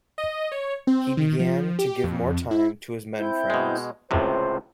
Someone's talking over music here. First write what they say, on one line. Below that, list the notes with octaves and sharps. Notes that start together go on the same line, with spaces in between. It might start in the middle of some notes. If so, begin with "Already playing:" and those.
He began to give more time to his men friends.
D#5
C#5
C4
D#3
F3
G4
F2
E4
C4 E4 G6
B2 G#3
C#2 A2 C3 C5